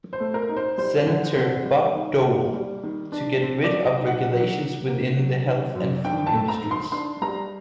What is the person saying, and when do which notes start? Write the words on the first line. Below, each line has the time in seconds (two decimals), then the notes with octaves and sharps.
Senator Bob Dole to get rid of regulations within the health and food industries.
0.13 C5
0.20 A3
0.34 A#4
0.49 D#4
0.56 C5
0.78 G3 C5
1.07 D3
1.36 C4
1.65 G3
1.95 D#3
2.25 A#3
2.53 G3
2.83 D#3
3.12 D4
3.42 C4
3.64 D5
3.70 F#3
3.85 D#5
3.99 D#4
4.07 F#5
4.28 F#3
4.58 D#3
4.88 A#3
5.16 F#3
5.45 D#3
5.75 F#2
6.05 D4 G5
6.27 A5
6.34 A3
6.48 A#5
6.64 D#3
6.71 C6
6.92 D4 C6
7.22 G3 A#5